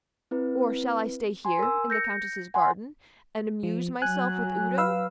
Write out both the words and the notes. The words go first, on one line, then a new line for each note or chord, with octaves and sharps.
Or shall I stay here, in the Countess's garden, and amuse myself with Udo?
C4 E4 B4
G#5 C6
A#4 E6
G6 A#6 C#7
F#5 G#5 C6
F3
F#3 G#5 F#6
B4 F5 E6